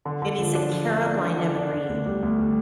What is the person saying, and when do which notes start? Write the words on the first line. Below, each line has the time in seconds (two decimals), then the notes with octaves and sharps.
and he's a Carolina breed.
0.05 D3
0.22 D3
0.38 F3
0.55 D4
0.72 F3
0.89 D4
1.06 D4
1.22 D3
1.39 D4
1.55 D4
1.72 D3
1.89 D2
2.06 G3
2.23 D2
2.39 G3